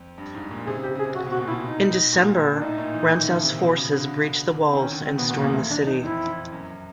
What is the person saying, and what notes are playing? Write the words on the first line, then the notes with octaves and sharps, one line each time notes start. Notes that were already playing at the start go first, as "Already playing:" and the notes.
In December, Rantzau's forces breached the walls and stormed the city.
Already playing: F2
G2
G#2
A#2
C3 G#4
C#3
C3 G4
C#3 G#4
C3
C3 F#4
B2
F#4
A#2
B2 E4
D#4
A#2
D4
A2 D#4
A#2
E3
D#3
C#3
C3
B2
C#3
D3
D#3 C4
D#3 C#4
D3
C#3 C4
B2 B3
A#2 B3
E2 A#3
A3
D4
D#4
F2 E4
F#2